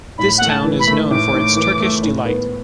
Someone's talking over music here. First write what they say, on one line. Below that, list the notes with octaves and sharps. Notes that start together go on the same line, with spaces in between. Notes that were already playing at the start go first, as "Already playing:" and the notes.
This town is known for its Turkish delight.
A2 B5
A3 F#5
A5
E3
B5
A3
A2 D6
A2
E3
A3
A2
B3